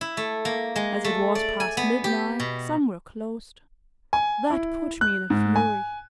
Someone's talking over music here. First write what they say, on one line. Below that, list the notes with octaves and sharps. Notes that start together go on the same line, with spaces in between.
As it was past midnight some were closed; that put me in a fury.
E4
A3
A#3
G#3
A3
D5
G#5
B3
G4
B2
G#5
E4
F#6
G#2
G#5